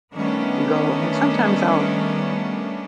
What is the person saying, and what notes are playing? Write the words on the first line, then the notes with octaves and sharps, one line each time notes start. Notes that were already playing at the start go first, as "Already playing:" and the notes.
go, and sometimes I'll
D#3 G3 A3 B3 C#4 D4